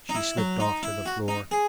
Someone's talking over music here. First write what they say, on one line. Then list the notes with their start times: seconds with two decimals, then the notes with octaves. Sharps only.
She slipped off to the floor.
0.09 D#4
0.15 E4
0.37 F#3
0.60 D#4
0.83 E4
1.06 F#4
1.28 D#4
1.51 G#4